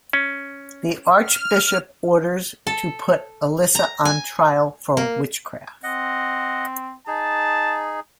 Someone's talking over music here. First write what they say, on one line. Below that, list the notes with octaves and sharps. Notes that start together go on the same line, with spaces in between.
The Archbishop orders to put Elisa on trial for witchcraft.
C#4
F6
A4
A#5
G#5
A#3
C4 D#5 F#5
D#4 G#4 A5